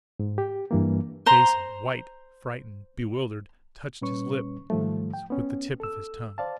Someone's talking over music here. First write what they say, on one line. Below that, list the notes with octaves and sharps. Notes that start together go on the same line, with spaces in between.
Jason, white, frightened, bewildered, touched his lips with the tip of his tongue.
G#2
G4
G2 E3 A#3
C5 A#5 C6
A#2 G3 C#4 B4 C#6
G#2 D#3 F3 G3 A3
G5
B3 C#4
A4 E6
C5 D5 F5 A5